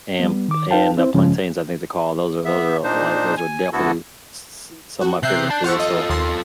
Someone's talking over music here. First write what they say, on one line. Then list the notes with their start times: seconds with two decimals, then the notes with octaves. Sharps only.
and p and the plantains, I think they're called. Those are those are, like, those are definitely s s some of my favorite foods, so
0.19 G3 B3
0.48 D#3 D6
0.71 D#4 B4 F5 G5 A5
0.97 C4 E4 C5
1.14 G2 C#3 F3 G#3 C#4
2.45 B3 E5
2.83 A#2 D4 D#4 C5
3.37 G#5
3.73 D2 D3 B3 E4 F#4 A4
5.01 F#4
5.23 C3 E5 F#6 G6 C7
5.50 D5 A5
5.64 F4 A4 C5 F#5 C#6
5.80 D#5
6.09 D#2 C6